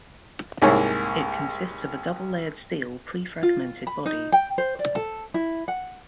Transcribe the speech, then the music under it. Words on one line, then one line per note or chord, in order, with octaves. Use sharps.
It consists of a double layered steel pre-fragmented body.
C2 G#2 A#3 E4 G#4 C#5
F4
B5
D#4
G5
C5
D5
A4
E4
F#5